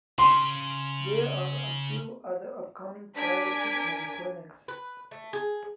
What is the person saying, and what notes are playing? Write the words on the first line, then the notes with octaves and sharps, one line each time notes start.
There are a few other upcoming privately owned clinics.
C#3 C6
D4 A#4 G#5 G#6 B6 D7
B4
A3
G#4